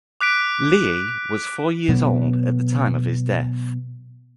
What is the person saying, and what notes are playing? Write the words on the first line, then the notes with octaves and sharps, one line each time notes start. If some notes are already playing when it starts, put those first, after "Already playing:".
Leahy was four years old at the time of his death.
D6 F#6 B6 D7
B2 F#3 B3